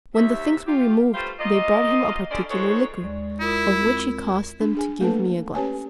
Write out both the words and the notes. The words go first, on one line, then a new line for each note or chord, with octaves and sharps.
When the things were removed, they brought him a particular liquor, of which he caused them to give me a glass.
D#2 C3 E5
F4 G4
G3 A3 B3 F4 C5
A#3 F4 G4 D#5
D3 C#4 C5 D5
G#2 F3 F#4 G#4 A4 C#5
D#2 G#3 D5
E4 F4 A#4 D#6
C4 G#6
D4
D4 G#4 G#5
A3 A#3 A4 B4 A5
C#4 G4 B4 C#5 G#5 A5